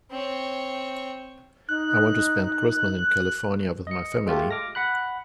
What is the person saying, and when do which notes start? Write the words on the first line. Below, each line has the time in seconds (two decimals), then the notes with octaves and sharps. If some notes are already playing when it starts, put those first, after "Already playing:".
I want to spend Christmas in California with my family.
0.11 C4 C#5
1.69 D#4 F#6
3.87 D#5 C#7
4.27 G#3 A3 F4 G4 A4
4.51 D6 F6 A#6
4.75 F#5 B5 F#6